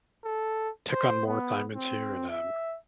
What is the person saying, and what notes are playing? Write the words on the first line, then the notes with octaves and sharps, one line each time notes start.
took on more assignments here and, um,
A4
C5
B3
C4
E5